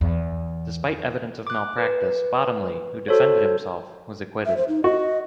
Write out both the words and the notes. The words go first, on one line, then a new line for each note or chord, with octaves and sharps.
Despite evidence of malpractice, Bottomley, who defended himself, was acquitted.
E2
D6 F#6
B4
F#4 A4 C5 C#5
E5
C5
D#4
F#4 D#5